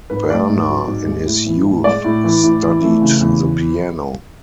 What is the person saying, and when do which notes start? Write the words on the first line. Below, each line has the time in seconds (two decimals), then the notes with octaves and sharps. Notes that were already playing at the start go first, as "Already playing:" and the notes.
Berner, in his youth, studied the piano.
0.10 G#2 B4
0.29 A3 D5
0.49 G#2
0.69 F#3
0.87 G#2
1.07 G#3
1.26 A2
1.46 E3
1.65 A2
1.84 G#3 D5
2.05 A2
2.24 E3
2.43 A2
2.62 E3
2.82 A3
3.02 C#3
3.21 E2